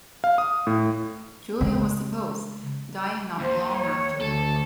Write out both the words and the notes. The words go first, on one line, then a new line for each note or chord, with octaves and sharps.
Julian was deposed, dying not long after.
F5
D#6
A2
C#3 G#3
D#2 C5
C#5
D2 A4